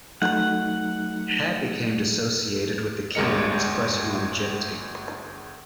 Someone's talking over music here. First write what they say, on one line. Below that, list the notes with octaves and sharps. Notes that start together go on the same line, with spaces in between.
Heh became associated with the King and his quest for longevity.
F#3 A3 D#4 F#5
G1 D2 G#3 A#4 D#5 C#7